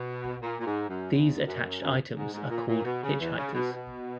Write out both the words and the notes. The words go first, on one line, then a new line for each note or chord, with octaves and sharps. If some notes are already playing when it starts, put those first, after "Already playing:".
These attached items are called "hitchhikers".
Already playing: B2
A#2
A#2
G#2
F#2
E2
F#2
F#2
G#2
G#2
A#2
A#2
B2
C#3
E2 E3
C#3
B2
B2